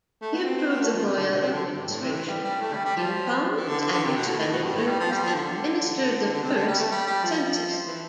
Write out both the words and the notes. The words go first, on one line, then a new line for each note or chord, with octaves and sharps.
He improved the royal administration, of incomes and expenditures, and administered the first census.
A3
B3
C4
C4
B3
A3
F3
C3
D3
B2
C3
D3
G2
A2
C3
E3
G3
G3
A3
G3
G3
F3
E3
D3
D3
D3
C3
B2
A2
A2
B2
G2
A2
G3
F3
G3
F3
D3
D3
C3
D3
G3
A3
G3
G3
F3
E3